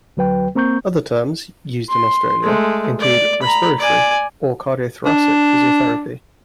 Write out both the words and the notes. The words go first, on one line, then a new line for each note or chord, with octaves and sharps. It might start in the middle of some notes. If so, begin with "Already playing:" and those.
Other terms, used in Australia, include respiratory or cardiothoracic physiotherapy.
D2 F#3 B4 G5
A#3 C4 A#5 C#6 G6
C6
G#3 A3
D5
A#5 B5
D5 G#5
D4